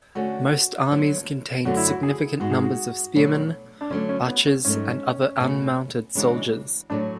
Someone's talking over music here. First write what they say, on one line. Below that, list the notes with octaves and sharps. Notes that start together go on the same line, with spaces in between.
Most armies contained significant numbers of spearmen, archers and other unmounted soldiers.
D3 A3 C#4 F#4
D3 F#3 B3
F#2 D3 F#3 A3 F#4
E4
F#4
G#4
G#2 G#3 B3 F#4
G#4
F#4
B2 F#3 A3 D4
D4
D3 F#3 A3 C#4
C#4
B3
C#4
G#2 F#3 A3 C#4
B2 A3 C#4 F#4
C#3 E3 G#3 D4 F#4
A2 F#3 A3 D4